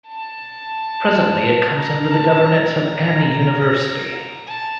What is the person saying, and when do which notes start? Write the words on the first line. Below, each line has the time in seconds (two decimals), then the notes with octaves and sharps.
Presently it comes under the governance of Anna University.
0.08 A5
1.78 A#5
2.11 A5
2.45 A#5
4.48 A5